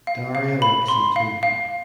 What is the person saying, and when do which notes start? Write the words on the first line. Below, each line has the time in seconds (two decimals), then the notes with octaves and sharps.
Daria likes him too.
0.07 F5
0.35 F5
0.62 B5
0.88 C6
1.16 F5
1.43 F5